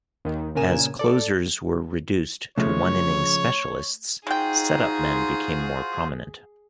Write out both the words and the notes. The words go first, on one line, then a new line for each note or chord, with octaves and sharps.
As closers were reduced to one-inning specialists, setup men became more prominent.
D#2 D#3
G1 A#2 C#3 A#4 G#5 E7
A4 D5
C#3 F3 G#3 A3 C#5
G#3 D#4 F4 F#4 G#4 C5 G5